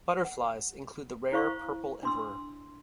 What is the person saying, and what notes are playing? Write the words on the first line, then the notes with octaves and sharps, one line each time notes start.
Butterflies include the rare purple emperor.
F#5
E4 C5 F5 C#6
D4 C6 E6